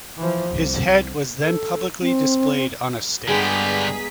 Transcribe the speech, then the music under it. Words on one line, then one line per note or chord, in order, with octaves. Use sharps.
His head was then publicly displayed on a stake.
E3 F3
C2
A4
C4
G2 D3 G#3 B3 G4 G#4 A#5 B6